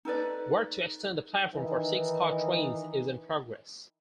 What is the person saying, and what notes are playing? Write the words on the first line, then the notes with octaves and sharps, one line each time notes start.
Work to extend the platform for six-car trains is in progress.
D#4 A4 B4 D5
D#3 E3 D#4